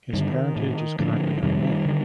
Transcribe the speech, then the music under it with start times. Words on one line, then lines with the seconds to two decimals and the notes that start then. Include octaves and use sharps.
His parentage is currently unknown.
0.13 G2 D3 D#3
0.56 A2
0.99 A2 D3 F3
1.36 F3
1.42 F2 C3 D#3 G3
1.86 D3